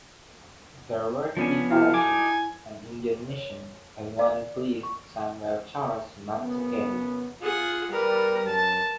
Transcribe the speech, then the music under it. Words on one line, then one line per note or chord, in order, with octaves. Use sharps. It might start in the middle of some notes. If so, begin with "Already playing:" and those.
There were three parishes, an Indian mission, and one priest Samuel Charles Mazzuchelli.
F3 B3 C#4 D4 F4 G#5
E4 F#4 A4 E5 F5
D#4 G#5 D6
C#5
D5
C#6
F#2 C#3 B3
F4 G#4 F#5
G3 A#4 B4
F#2 A5